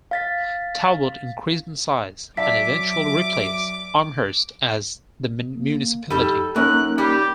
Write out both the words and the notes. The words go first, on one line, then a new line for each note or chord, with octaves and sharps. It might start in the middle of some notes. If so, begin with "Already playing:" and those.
Talbot increased in size and eventually replaced Amherst as the municipality.
F5 A6 B6
F#3 D5 E5 A5 D6 B6
A#3
F2 G3 D#4 G4 A4
F#2 A#3 C#4 D#4 A#4 F#6
G3 G4